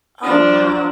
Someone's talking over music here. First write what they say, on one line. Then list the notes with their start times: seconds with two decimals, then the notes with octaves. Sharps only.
Oh, wow.
0.23 F3 D4